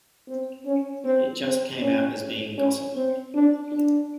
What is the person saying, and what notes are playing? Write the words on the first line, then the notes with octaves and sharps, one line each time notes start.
It just came out as being gossip.
C4
C#4
C4
C4
C#4
C#4
C4
D4
D4